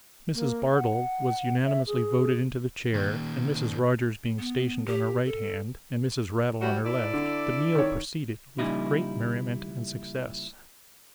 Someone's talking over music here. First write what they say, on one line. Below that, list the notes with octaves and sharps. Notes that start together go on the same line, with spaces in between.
Mrs. Bardell was unanimously voted into the chair, and Mrs. Rogers being stationed on her right hand, and Mrs. Raddle on her left, the meal proceeded with great merriment and success.
A#3
F#5
E5
G#4
A#2 D#3
B3
G4
A4
G3 F#4
E4 A4 D5
D3
D#3 C#5
A#2 C#3 F3 G3 D#4 E4